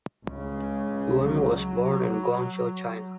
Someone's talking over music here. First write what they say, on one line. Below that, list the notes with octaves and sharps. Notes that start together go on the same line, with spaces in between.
Yuen was born in Guangzhou, China.
C#2 C#3
F#3